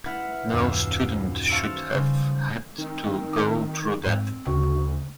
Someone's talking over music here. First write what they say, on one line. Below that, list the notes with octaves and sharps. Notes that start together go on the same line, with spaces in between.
No student should have had to go through that.
E4 B4 F#5 F6
D#1 F#2 F5 E6
C5 F5 A5 C#6 E6 A#6
C#3 G3 C5
D#3 C4
G#2 C4
D2 C#3 F#4